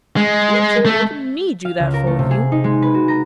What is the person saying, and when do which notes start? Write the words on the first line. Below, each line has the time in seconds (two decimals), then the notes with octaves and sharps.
Won't you let me do that for you?
0.17 G#3
0.86 A3
1.65 F5
1.80 C#2
1.94 A#4
2.07 A3
2.19 C3
2.31 G#4
2.52 D#4
2.64 G#3
2.82 B4
2.94 F#4
3.08 A#5